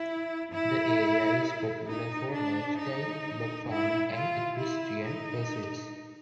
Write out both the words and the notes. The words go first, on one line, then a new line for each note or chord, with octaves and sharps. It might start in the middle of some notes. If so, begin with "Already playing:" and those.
The area is popular for lifestyle block farming and equestrian pursuits.
Already playing: E4
E4
D#4
D4
D#4
E4
F4
E4
D#4